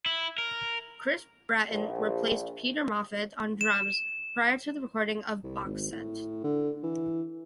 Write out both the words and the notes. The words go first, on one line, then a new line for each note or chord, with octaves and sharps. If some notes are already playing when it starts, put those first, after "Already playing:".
Chris Bratton replaced Peter Moffett on drums prior to the recording of "Box Set".
E4
A#4
A#1
E7
C2
G#1
A2
D3
E3